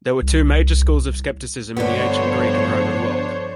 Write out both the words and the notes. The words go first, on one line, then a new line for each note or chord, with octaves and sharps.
There were two major schools of skepticism in the ancient Greek and Roman world.
C2
G2 D3 F3 B3 D4 C5 C#5